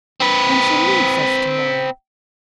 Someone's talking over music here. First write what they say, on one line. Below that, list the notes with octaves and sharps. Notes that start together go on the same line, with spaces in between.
And she leaves us to-morrow.
C4 B4